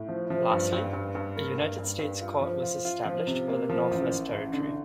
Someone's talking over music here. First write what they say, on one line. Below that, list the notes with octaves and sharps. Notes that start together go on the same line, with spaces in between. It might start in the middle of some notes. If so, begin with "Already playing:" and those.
Lastly, a United States court was established for the Northwest Territory.
Already playing: A2
F3
F3
G2
G2
G2
G2
A#3
G2
G2
G2
F4
F3
F4
F4
F3
C3
A#3
F3
A1
A1
A1
D3